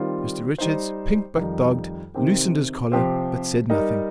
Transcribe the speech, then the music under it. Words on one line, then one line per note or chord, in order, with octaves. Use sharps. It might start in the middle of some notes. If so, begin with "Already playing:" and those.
Mr Richards, pink but dogged, loosened his collar, but said nothing.
Already playing: D#3 G3 C4 F4
G3 D#4 C5
F2 D#3 G3 D#4
C3 D#3 C4 G4
C3 F3 C4 G4 C5
G3 D#4 A#4 D#5